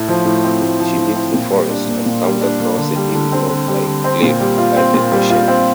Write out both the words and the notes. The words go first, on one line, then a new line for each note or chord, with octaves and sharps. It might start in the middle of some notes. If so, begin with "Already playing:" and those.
She leaves the forest and comes across a huge rock-like cliff by the ocean.
Already playing: A2
F3
A2
C4
A2
F3
A2
C4
A#2
G3
D4
A#3
A#2
G3
D4
A#3
D3
G3
D3
C4
D3
G3
D3
C4
A#2
G3
F4
C4
A#2
G3
F4
C4